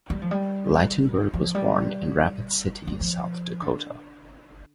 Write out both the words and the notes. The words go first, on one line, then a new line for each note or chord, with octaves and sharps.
Ligtenberg was born in Rapid City, South Dakota.
G3
F3
G3
F3
G3
G3
F3
D3